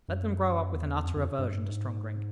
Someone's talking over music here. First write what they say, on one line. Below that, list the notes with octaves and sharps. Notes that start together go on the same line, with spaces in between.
Let them grow up with an utter aversion to strong drink.
F#2
E2
F2
F2
G2
G#2